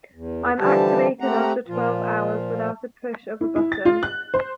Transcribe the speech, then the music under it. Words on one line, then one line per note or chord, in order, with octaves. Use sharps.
I am activated after twelve hours without a push of a button.
E2
D3 E3 F3 G3 G4 A5
A3 C4 G4 F#5 A#5
A#2 F3 F4
E4
E4
A6
F4
F#6
C5